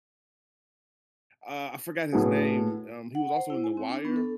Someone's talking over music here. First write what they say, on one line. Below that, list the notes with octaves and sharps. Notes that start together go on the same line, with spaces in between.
uh, I forgot his name. Um, he was also in The Wire,
A2 A3 B3 D4 F#4 G#4
F#5
C5
E4
G#5
C4
D4
B3
A4